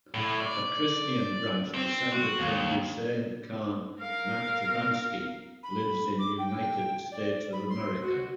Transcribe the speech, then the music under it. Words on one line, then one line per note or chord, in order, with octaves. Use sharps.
A Christian branch descended from Huseyn Khan Nakhchivanski lives in United States of America.
A2
D5
C4
F#4
D#2
A#4 F5
B5
D6
G5
D5
B5
C6
F#4